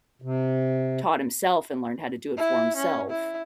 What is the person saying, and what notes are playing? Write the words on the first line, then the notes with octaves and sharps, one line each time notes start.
taught himself and learned how to do it for himself.
C3
E4
C#4
E4